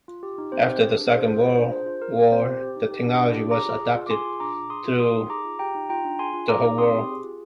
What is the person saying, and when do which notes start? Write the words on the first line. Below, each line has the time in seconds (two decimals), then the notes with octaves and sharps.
After the Second World War the technology was adopted thorough the whole world.
0.08 F4
0.23 G4
0.38 D#4
0.52 C4 C5
0.67 G4
0.83 G#4
0.97 D4
1.12 G#4 C5
1.27 F4
1.42 F4 C5
1.58 D4
1.72 G#4 C5
1.86 F4
2.02 G#4 A#4
2.17 F4
2.31 C4 C5
2.47 G4
2.62 G4
2.76 D#4
2.91 G4
3.05 D4
3.21 D4
3.35 G4
3.51 G#4 A#5 D6
3.65 F4
3.80 G#4
3.96 F4
4.06 D6
4.10 G#4 G#5 C6
4.25 F4
4.40 D4 A#5 D6
4.55 G#4
4.70 G#4 C6 D#6
4.85 F4
4.99 G4 C6 D#6
5.15 D#4
5.30 G#4 A#5 D6
5.45 F4
5.59 G4 G5 A#5
5.75 D#4
5.89 F4 G5 A#5
6.05 D4
6.19 G#4 G#5 C6
6.34 F4
6.49 G#4 A#5 D6
6.64 D#4
6.78 C4 C6 D#6
6.94 G4
7.09 G#4
7.23 F4